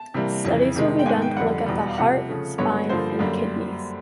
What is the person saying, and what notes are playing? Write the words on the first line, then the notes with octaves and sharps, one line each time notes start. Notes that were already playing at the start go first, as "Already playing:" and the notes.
Studies will be done to look at the heart, spine and kidneys.
Already playing: A5
C3 E3 G3 A#3
F2 C#3 E3
C3 D#3 G#3
G5
G#2 D#3 G#3 B3 G#5
G5
F2 D3 G3 F#5
E2 B2 G3
F5
C3 F3 A3 F#5
C#3 F3 A3
G2 D3 F#3 B3 C#5
G2 D3 F3 A#3 C5
F#2 D3 G3 A#3